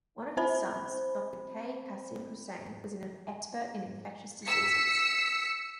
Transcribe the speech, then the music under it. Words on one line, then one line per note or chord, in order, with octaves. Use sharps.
One of his sons, Doctor K. Khasim Hussain was an expert in infectious diseases.
C4 C5 B5
E6 B6 C#7